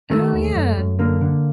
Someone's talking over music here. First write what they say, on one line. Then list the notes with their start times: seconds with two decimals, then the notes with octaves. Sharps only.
Oh, yeah.
0.10 D#3 A3
0.33 D#2
0.55 F#2
0.77 F#2
0.99 D3 A#3
1.21 D3